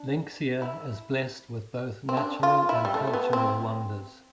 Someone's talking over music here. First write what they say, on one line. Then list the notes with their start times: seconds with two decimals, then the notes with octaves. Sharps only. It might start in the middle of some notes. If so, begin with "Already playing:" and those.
Linxia is blessed with both natural and cultural wonders.
Already playing: D4
0.62 E4
2.09 C4
2.17 D4
2.43 F4
2.69 E4
2.85 G3
2.94 A3
3.07 A3
3.13 B3
3.33 C4